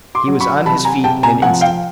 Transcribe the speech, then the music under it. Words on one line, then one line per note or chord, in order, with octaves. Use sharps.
He was on his feet in an instant.
C6 D6
F#3
B5 C#6
C3 A5 B5
G#5 A#5
C3 G5 A5
G#5 A#5
F3 F#5 G#5
F5 G5